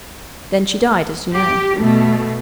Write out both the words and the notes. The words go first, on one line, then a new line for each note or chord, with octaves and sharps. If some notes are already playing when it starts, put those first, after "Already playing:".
Then she died, as you know.
G4
B2 A3